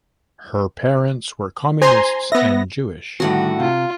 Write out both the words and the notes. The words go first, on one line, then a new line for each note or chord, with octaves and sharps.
Her parents were communists and Jewish.
C5 G#5 A#5 C6
B3 E5 A#6
A2 D3 D#3 G3 F#4
C3 F4